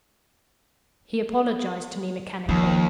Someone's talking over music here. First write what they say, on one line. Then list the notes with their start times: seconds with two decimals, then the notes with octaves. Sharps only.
He apologized to me mechanically.
2.49 D#2 F3